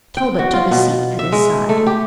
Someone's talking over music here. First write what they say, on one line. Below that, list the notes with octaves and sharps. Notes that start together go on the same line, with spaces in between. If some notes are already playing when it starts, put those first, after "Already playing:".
Talbot took a seat at his side.
G5
F#4
F4
B2
E5
G#3
A3
G4